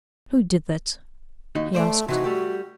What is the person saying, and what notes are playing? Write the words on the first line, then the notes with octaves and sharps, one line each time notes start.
"Who did that?" he asked.
D#2 D#4 F#4
A3 C5 D5
C3 E3 D#4 F#4
G3 A3 G4